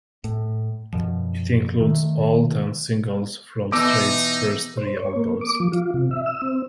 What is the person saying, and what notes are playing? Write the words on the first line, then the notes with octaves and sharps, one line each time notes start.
It includes all ten singles from Strait's first three albums.
A2
F#2 B2 F3
D#3 A3
B2 E3 D#4 D6 E6
C5
C#5
A#3
D6
F3
F4
C3
E5
E6
C4